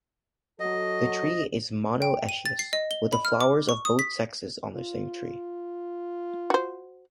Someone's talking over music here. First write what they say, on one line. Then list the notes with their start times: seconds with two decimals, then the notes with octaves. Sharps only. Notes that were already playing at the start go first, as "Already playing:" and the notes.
The tree is monoecious, with flowers of both sexes on the same tree.
0.60 F#3 F#4 A4 D#5
2.02 G5
2.29 D#7
2.46 A6
2.59 C7
2.73 D#5
2.91 G7
3.13 B5
3.25 F6
3.41 D6
3.69 C#6
3.85 D#6
3.99 B6
4.75 F4
6.50 F#4 C5